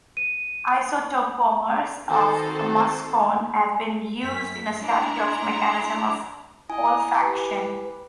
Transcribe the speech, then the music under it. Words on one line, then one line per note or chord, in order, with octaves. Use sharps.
Isotopomers of muscone have been used in a study of the mechanism of olfaction.
D#7
D#3 C4 D#4 F#4 A4 C5
F#2 B6
D4 E4 A#5
C6 G#6
E4 D#5 G#5
G4 B4